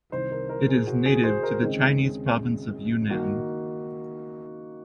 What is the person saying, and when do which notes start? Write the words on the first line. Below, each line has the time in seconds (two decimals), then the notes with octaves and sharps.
It is native to the Chinese province of Yunnan.
0.12 C2 C3 D#3 C5
0.31 A#4
0.49 A#4
0.69 G#4
0.87 F#4
1.06 G#4
1.24 C5
1.43 A#4
1.61 D#2 C#3 G#3 C4 D#4
3.10 D#3 A#3 D#4 F#4